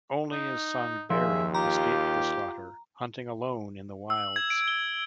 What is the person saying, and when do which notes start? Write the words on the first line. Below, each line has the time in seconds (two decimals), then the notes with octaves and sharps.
Only his son Beren escaped the slaughter, hunting alone in the wilds.
0.32 D#4
1.10 D#2 F3 G#4 E5
1.54 F4 G4 A#5
4.10 E6
4.36 G#6
4.50 D7
4.68 G7